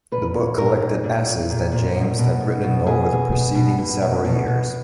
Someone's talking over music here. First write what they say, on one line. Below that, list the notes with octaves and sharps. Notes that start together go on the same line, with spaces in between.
The book collected essays that James had written over the preceding several years.
A#2 B4
A#2
A#2 A#4
A#2
A#2
A#2
A#2
A#2
B2
B2
B2
B2
B2 G#4
B2
B2
B2
B2
B2
B2
B2